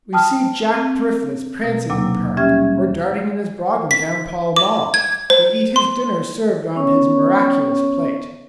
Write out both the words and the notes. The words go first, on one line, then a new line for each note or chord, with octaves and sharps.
We see Jack Thriftless prancing in the park, or darting in his brougham down Pall Mall: we eat his dinners served on his miraculous plate.
G5 A5 D#6 F6
C4
B2
D#2 C3 F#3 A#3 D6
G3 C#4 G4 E5 F6 G#6
B6
D6
G#6
C5
C6
B3 C#4 C#5 C#6